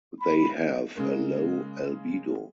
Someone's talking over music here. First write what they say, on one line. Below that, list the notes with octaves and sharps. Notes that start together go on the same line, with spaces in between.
They have a low albedo.
B5
C#3 G#3 A#3